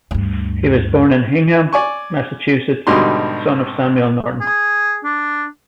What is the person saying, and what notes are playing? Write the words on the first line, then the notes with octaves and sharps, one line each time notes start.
He was born in Hingham, Massachusetts, son of Samuel Norton.
D2 G2
D5 G#5 C#6
G#1 B2 D3 G3 D#4 C6
G#4
D4